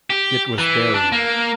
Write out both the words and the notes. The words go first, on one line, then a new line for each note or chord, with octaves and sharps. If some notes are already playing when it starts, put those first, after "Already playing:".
It was buried.
G4
E3
D4
A#3